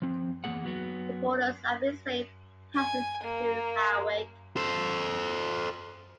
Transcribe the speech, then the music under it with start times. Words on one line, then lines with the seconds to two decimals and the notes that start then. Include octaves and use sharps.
The Borders Abbeys Way passes through Hawick.
0.02 F3 C4
0.44 E2 E3 A#3 G#4 F#5
0.65 F#3 B3 F#4
2.75 G#5
3.23 A#3
4.56 A4 C5